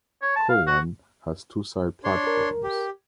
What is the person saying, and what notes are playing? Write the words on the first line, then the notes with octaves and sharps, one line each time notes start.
Cowan has two side platforms.
C#5
A5
F5
F#4
D4 C#5 C6
A#4
G4